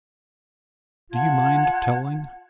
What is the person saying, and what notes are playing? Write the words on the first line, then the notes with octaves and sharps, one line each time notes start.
Do you mind telling?
F4 F#5 A5 G#6